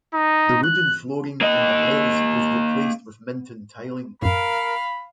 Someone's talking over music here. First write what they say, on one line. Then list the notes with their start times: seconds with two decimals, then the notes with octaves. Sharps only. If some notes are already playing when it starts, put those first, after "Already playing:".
The wooden flooring in the aisles was replaced with Minton tiling.
0.14 D#4
0.63 F#6
1.41 A#3 D#5
4.22 F#2 A2 A#4 F5 B5